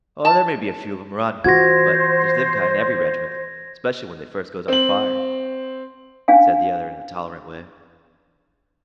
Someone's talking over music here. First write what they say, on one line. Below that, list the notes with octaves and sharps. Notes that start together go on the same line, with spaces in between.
"Oh, there may be a few of 'em run, but there's them kind in every regiment, 'specially when they first goes under fire," said the other in a tolerant way.
A5
E3 F4 F#4 C5 F#5 G#6 A#6
C4 F#7
C#4 D4 F5 G#5